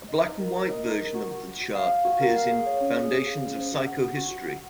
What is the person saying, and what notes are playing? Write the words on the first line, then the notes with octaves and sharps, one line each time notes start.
A black-and-white version of the chart appears in "Foundations of Psychohistory".
D#5
D#4
A#4
A#4
D#5
D#4
A#4
F#4
F#4
F#4
F#4
F5
F5
F#4
A#4
F5
G#4
C#5
C#4
G#4
C#4
F5
G#4
C5
F#4
F#5
F#4
F#4
F#4
F#5